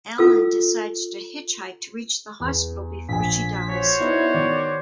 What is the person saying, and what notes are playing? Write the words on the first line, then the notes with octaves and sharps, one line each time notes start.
Alan decides to hitchhike to reach the hospital before she dies.
F4 A4 E6
E2
A#1 G#5 B6
F#4 C5 C#5
B3 D#4 E4 D5
D#3 D5